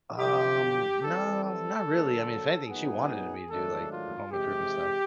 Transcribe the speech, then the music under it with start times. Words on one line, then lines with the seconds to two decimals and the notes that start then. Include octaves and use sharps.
Um, nah, not really, I mean, if anything, she wanted me to do, like, the home improvement stuff.
0.19 F#2 D3 F3 G4
1.01 E3 G3 C4 A4
1.43 A4
1.85 D3 F#3 A#3
2.66 A#2 F#3 B3 D#4 G#4
3.49 G#2 D#3 F#3 A3 D4 A4
3.91 F4
4.31 C3 E3 G#3 G4